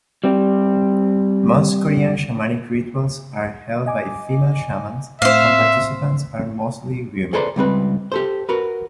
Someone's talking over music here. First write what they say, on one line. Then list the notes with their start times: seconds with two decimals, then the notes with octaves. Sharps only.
Most Korean shamanic rituals are held by female shamans and participants are mostly women.
0.24 G3 C4
3.86 D#5 G#5 D6
5.22 A2 C4 C5 E5 F5
7.33 G#4 A4 B4 C5 D5 A#5
7.56 C#2 G3 C4 B4
8.12 G4 A4 C5
8.49 F#4 A#4 B4